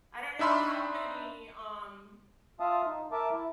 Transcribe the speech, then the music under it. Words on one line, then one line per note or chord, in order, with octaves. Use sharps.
I don't know how many, um
D4 D#4 E5 B5 C6
F4 E5 F5 A5 D#6
D#4
A#4 E5 A5 D6
E4